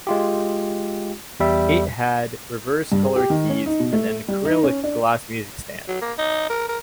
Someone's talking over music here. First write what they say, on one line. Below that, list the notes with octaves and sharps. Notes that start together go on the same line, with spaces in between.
It had reverse-colour keys and an acrylic glass music stand.
G#3 F4 G4
E2 G3 E5
G2
G#4
G4
D#3
C#4
D#4
B2
A3
G3
D#4
C#4
D4
F#3
A#3
D#4
A#4
A#4